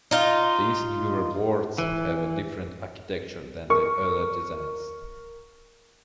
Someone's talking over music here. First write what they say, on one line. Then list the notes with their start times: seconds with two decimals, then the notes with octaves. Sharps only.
These newer boards have a different architecture than the earlier designs.
0.11 D#4 F4
1.78 E3
3.70 A#4 C#6